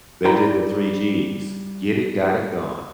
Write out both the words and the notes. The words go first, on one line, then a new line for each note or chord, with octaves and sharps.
They did the three g's. Get it. Got it. Gone.
G3 E4 C5 G5 A#5 B5